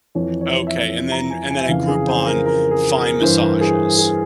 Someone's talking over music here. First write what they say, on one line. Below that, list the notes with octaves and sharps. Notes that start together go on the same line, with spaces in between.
Okay, and then and then at Groupon, find massages.
F2 E3 C#5
C#5
E5
A#5
G#5
G#5
E5
F2 C#3 E3 F5
G#4
C5
A#4
A#4
G#4
A#4
G2 E3 C5
A#4
G#4
G#4